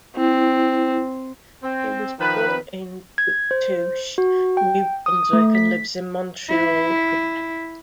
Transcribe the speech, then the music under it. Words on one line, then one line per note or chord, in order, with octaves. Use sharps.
She was born in Bouctouche, New Brunswick and lives in Montreal, Quebec.
C4 E4
C4
D#3 F3 B4
G#6
C5
F#4
G5
D#6
A3
B6
E4